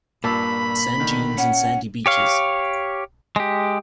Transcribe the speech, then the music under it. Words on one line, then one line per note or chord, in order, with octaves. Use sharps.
Sand dunes and sandy beaches.
G2 A#2 A5 B5 E6
D3 D#3
C#4 F#5
G4 C#5 F5
G#3 G4